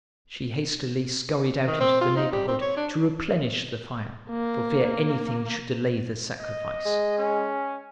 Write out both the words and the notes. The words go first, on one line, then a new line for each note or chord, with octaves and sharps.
She hastily scurried out into the neighborhood to replenish the fire, for fear anything should delay the sacrifice.
D#3
C4
F4
D#4
G3
C4
C#5
D4
A#3
D#5
G#3
C#4